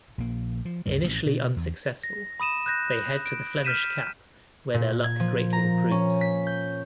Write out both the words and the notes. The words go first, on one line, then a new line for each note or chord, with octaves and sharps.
Initially unsuccessful, they head to the Flemish Cap, where their luck greatly improves.
A#1 A#3
F3
C#2 G2 G3
A1 E3
B2
E2
A#6
B5 D#6 D#7 E7
F#6 G6 A#6
D7
F6 G6 B6 D#7 E7
A#2
G#6
F3
A#5
C#4
B6
G6